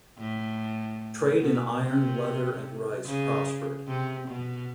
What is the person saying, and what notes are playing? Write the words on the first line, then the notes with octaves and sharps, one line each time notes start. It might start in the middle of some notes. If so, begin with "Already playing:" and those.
Trade in iron, leather and rice prospered.
A2
B2
C3
C#3
C3
B2